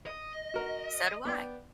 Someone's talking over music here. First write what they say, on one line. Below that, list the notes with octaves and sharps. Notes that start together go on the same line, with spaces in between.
So do I.
D#5
F#4 A#4
B3 D5 G5